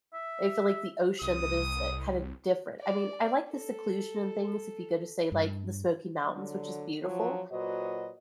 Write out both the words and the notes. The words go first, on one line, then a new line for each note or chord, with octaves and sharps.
I feel like, the ocean that is, eh, kinda different, I mean, I like the seclusion and things if you go to, say, like, the Smoky Mountains, which is beautiful,
E5
C2 D#6
D5
A4
G2
D3 F#3
F3 F#3 C#5
A#2 F#3 F#4 B4 C5 D#5